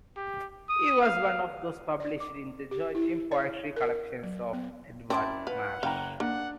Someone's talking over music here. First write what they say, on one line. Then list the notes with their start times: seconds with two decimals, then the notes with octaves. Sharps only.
He was one of those published in the Georgian poetry collections of Edward Marsh.
0.17 G4
0.69 D#6
1.01 F5
2.00 D5
2.20 D6
2.71 G4
2.95 E4
3.32 C#5
3.76 A#4
4.23 F#3
4.53 B3
5.10 F#2 C4 E4 D5 A5
5.47 B4 F5 F#5
5.83 F#1 F5 G5 A#5
6.20 A#3 D4 F#5